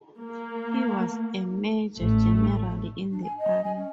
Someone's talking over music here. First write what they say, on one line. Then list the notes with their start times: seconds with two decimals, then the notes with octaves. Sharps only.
He was a major-general in the army.
0.17 A#3
1.96 A1 A3
3.11 D4
3.23 G#5
3.39 D#5
3.64 G#5
3.77 C#4